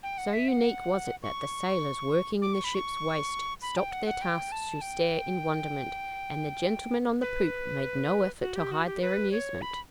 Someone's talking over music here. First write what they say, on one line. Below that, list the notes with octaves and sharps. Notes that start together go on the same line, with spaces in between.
So unique was it that the sailors working in the ship's waist stopped their tasks to stare in wonderment, and the gentlemen on the poop made no effort to hide their amusement.
G5
F#5
E5
F#5
C#6
D6
C#6
B5
C#6
B5
G5
F#5
F#5
G5
A5
G5
B4
F#4
G4
F#4
G4
B4
C#5
B5